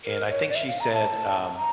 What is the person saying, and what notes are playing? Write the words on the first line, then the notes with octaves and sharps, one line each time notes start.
and I think she said, um
A#4
C#5
D5
E5
F5
A#5
A5
A#5